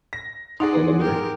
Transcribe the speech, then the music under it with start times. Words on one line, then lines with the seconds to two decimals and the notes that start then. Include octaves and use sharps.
phone number.
0.13 A#6
0.60 D#4 G#4 D5 F#5 C6
1.00 G4 A#4